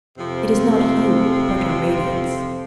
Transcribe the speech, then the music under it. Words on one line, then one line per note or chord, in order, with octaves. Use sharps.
It is not you, but your radiance.
F2 C3 F3 C4